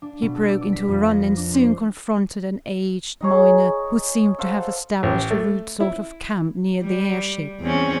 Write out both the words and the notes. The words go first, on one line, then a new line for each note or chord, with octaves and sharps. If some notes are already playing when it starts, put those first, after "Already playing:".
He broke into a run, and soon confronted an aged miner, who seemed to have established a rude sort of camp near the airship.
D4
B2
A4
D5
D6
B6
F2
A#6
D4
C5
D#4 G#4 C#5
A4 C5 F5 F#5
A1
A3
E4
G3
E2 C4 C#4